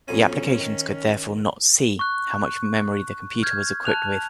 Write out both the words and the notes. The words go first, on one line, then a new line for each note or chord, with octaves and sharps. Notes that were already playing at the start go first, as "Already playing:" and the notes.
The applications could therefore not "see" how much memory the computer was equipped with.
B1 F2 C#4 G#5
D#3
C#6 F#6
F6 G6 G#6
A5 F#6 F7